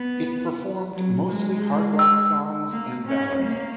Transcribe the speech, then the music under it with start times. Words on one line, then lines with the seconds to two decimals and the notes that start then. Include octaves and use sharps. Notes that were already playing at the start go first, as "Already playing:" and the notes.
It performed mostly hard rock songs and ballads.
Already playing: B3
0.95 F#3
1.31 G#3
2.71 A#3
3.07 C#4
3.43 A#3